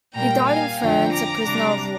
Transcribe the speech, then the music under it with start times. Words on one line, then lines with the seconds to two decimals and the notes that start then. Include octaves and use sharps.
He died in France, a prisoner of war.
0.14 A#2 G3 A#3 G5 A#5
0.47 F5 G#5
0.80 F2 D3 F3 G5 A#5
1.12 A#5 D6
1.45 C3 G3 D4 A#5 D6